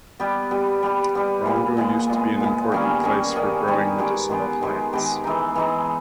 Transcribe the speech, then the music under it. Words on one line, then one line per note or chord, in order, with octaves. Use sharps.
Rongo used to be an important place for growing medicinal plants.
G3 B3 G4
G3 B3 G4
G3 B3 G4
G3 B3 G4
A#2 G#3 B3
A#2 G#3 B3
A#2 G#3 B3
A#2 G#3 B3
D#3 G3 C#4 G#4
D#3 G3 C#4 G#4
D#3 G3 C#4 G#4
D#3 G3 C#4 G#4
D#3 G#3 B3 G4
D#3 G#3 B3 G4
D#3 G#3 B3 G4
D#3 G#3 B3 G4
E3 G#3 D#4
E3 G#3 D#4